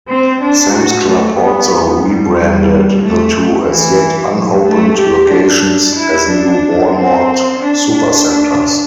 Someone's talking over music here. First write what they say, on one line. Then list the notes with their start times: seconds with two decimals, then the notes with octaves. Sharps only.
Sam's Club also rebranded the two as yet unopened locations as new Walmart Supercentres.
0.08 C4
0.41 D4
0.74 F#4
1.06 A3
1.39 B3
2.05 G3
2.37 G3
3.02 A3
3.68 E3
4.33 F#3
4.65 A3
4.98 G4
5.31 D4
5.96 E4
6.29 D4
6.94 C4
7.59 D4
7.92 D4